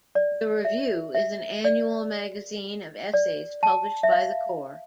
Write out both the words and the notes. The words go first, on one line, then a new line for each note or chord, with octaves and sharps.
The Review is an annual magazine of essays published by the Corps.
D5
E5
E5
D5
D5
A5
E5
F5